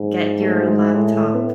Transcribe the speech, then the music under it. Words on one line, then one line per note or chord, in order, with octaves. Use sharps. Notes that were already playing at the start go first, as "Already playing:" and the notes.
get your laptop
Already playing: G#2
A3
F#3
G#3
A2 G#3
G#3
A3
B3